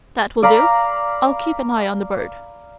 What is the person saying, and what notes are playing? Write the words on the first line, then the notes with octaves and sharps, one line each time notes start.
"That will do; I'll keep an eye on the bird."
D5 F5 A#5 B5